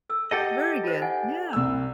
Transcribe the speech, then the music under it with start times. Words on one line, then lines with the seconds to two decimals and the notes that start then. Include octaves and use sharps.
Very good yeah.
0.09 A4 E6
0.31 G4 A4 D#5 F#5
0.83 F4 C5
1.01 D#4 F#5 G#5
1.53 C2 E6